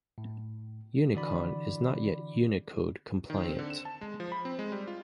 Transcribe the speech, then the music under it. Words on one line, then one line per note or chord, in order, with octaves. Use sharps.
Unicon is not yet Unicode-compliant.
A2
D3 E3 F#4 D5 B5
D#3
C4
D3
E7
A5
G#3
F3
B5
C4
G#3
G3
F4